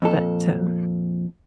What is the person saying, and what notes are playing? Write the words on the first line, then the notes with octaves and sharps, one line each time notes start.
But, um
F2 A#2 A4